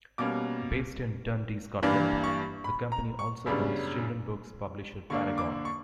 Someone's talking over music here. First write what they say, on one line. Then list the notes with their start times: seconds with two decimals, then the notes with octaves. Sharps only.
Based in Dundee, Scotland, the company also owns children books publisher Parragon.
0.18 B2 G3 A#3 C#4 D6
1.83 G2 E3 A#3 D4 B5
2.24 C#6
2.64 B5
2.92 A#5
3.19 C#6
3.46 F#2 C#3 G3 B3 D4 B5
5.10 D3 A#3 D4 C#6
5.38 D6
5.65 C#6